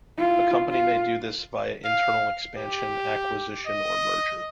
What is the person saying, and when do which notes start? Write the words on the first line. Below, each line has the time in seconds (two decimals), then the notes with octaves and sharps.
A company may do this via internal expansion, acquisition or merger.
0.17 E4 F4
0.70 F4
1.85 F5
2.57 G4
3.66 D#5